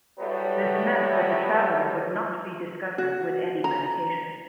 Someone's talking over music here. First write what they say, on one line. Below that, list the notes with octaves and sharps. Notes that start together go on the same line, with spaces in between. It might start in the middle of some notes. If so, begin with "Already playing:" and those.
This meant that the traveller would not be discovered with any medication.
F#3 G3 A3 B3 E4
F#4
A#5